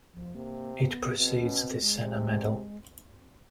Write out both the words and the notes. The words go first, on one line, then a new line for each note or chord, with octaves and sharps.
It precedes the Sena Medal.
F3
C3 A#3
B3
B2 C4
C#4
C4
G#3
C3